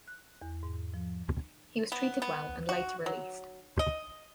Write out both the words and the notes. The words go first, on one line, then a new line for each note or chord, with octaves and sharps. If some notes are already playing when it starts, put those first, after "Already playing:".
He was treated well and later released.
F#6
E2
G#2
F3
B3
B3
F#4
F#3
D#5